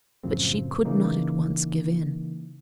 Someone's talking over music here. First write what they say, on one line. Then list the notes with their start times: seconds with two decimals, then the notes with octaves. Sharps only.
But she could not at once give in.
0.24 F#2 A2 C#3 F3 C4
0.85 C#3 E3 A#3 D#4